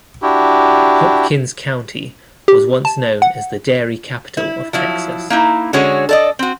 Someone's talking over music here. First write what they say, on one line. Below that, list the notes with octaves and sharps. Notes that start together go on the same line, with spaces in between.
Hopkins County was once known as the Dairy Capital of Texas.
D4 E4 F#4 G4
G4
A5
F#5
E4
F3 F#3 E4
A#3 D#4 E4
D3 G#3 C#4 F#4 G#4 C#5
A4 D5 D#5
C4 F#4